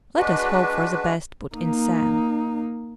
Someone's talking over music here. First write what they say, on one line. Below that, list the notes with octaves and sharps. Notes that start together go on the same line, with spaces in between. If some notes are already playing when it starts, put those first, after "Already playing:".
"Let us hope for the best," put in Sam.
G#3 D4 F#4 B4
A#3 D#4